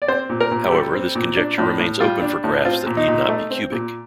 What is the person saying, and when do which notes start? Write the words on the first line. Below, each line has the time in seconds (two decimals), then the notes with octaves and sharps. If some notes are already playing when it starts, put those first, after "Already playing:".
However, this conjecture remains open for graphs that need not be cubic.
0.02 D5
0.08 C4 C5
0.29 A#2
0.40 A#4
0.51 A#2
0.66 G4
0.72 G3 A4
0.94 C4
1.15 A#2
1.37 D4
1.58 A2
1.80 A2
2.00 G3 F4
2.22 D4
2.44 A2
2.65 C4 F4
2.86 A#2
2.97 D#4
3.08 A#2
3.29 A3
3.51 C4
3.72 A#2